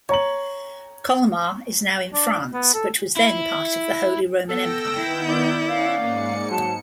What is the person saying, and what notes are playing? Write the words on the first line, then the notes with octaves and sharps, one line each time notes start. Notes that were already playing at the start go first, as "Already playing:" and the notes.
Colmar is now in France but was then part of the Holy Roman Empire.
C#5 A#5 F#7
D4
B3
A4
E4
B3 A4 G5 E6 A#6
D#3 B3 E4 G6
D5
C#4 F5 F#5
G#2 A#3 C#7
F#3 A5